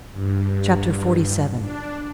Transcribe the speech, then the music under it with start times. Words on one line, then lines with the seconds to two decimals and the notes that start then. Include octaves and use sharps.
Chapter XLVII.
0.13 G2
1.60 D4